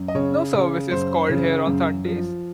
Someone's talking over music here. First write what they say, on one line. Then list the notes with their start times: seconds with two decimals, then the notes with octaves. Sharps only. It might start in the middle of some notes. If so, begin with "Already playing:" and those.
No services called here on Sundays.
Already playing: F#2
0.08 D#5
0.15 C#3 C#5
0.54 C#3
0.91 F#2 C5
1.30 C#3
1.67 F#2
2.05 F3